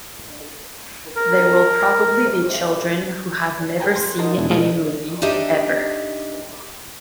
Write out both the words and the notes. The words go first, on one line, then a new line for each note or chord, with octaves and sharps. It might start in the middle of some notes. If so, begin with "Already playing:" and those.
They will probably be children who have never seen any movie, ever.
A#4
G#4 B4 G5 G#5 A#5
C6
D#4 F#4 A#4 A5 C6
E2 B2 G#3 D4 E4
A#2 G#3 A3 D#4 E4 A#4
D4 D#4 G4 D#5 E5